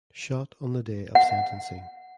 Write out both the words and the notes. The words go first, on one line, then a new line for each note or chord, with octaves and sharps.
Shot on the day of sentencing.
F#5